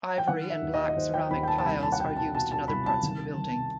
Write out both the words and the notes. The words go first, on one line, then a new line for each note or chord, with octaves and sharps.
Ivory and black ceramic tiles are used in other parts of the building.
G5
D#3 F#5
E5
D#2
D#5
D#5
D#2 C5
G5
D#2 B5
G5
A5
A5
C2 B5
A5
F#5
B2 G5
A5
B2 A5
A5
C2 B5
A5
D#3
D#3